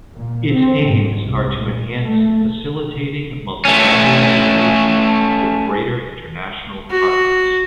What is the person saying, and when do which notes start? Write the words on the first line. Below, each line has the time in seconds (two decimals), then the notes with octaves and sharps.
Its aims are to enhance facilitating multilateral engagement with greater international partners.
0.15 A#2
0.52 C4
0.89 G#2
1.24 C2
1.58 A#2
2.01 A3
3.65 A3 C#4
6.90 F#4